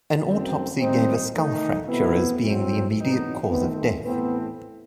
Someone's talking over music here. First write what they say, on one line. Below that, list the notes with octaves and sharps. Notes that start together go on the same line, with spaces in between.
An autopsy gave a skull fracture as being the immediate cause of death.
F#2 D#3 A3 C4
D#3 G3 C4 D#4
D#3 A3 D#4
B2 A3 B3 C4 E4
A2 F#3 C4
E2 B2 F#3 B3 D#4
D#3 A3 B3 C4
A2 E3 A3 B3 C4